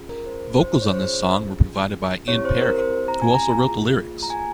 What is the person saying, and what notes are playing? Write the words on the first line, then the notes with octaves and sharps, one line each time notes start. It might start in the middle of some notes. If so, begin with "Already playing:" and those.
Vocals on this song were provided by Ian Parry, who also wrote the lyrics.
Already playing: C#4 F4 G#4
A#4
C5
C5
C#5
C#4 F4 G#4 C5
C4 E4 G4 C#5
C5
A#4
C5
A#5
G#5
A#5
A#3 F4 G#4
A#5
G#5